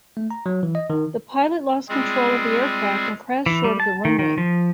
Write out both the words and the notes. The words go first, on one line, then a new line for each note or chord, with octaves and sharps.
The pilot lost control of the aircraft and crashed short of the runway.
A3
A#5
F#3
E3
D#5
D#3
G3 G#3 C4 F4 G#4
E3
G3
A5
D#3
D#3
F3